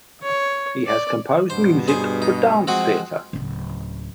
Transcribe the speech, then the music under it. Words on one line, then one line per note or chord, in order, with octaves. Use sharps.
He has composed music for dance theatre.
C#5
D5
G2 B2 C5
G#4 C5
D#4
F3 G#3 C4 F#4 G#4
D1 C#3